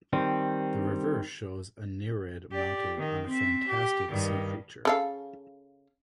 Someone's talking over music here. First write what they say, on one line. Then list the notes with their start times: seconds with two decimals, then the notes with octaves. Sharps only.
The reverse shows a Nereid mounted on a fantastic sea creature.
0.13 D#3 G3 C4
2.52 G4 D5
2.98 D#3
3.28 C4 E5
3.69 G4
4.10 G2 D#3
4.85 C#3 A4 F5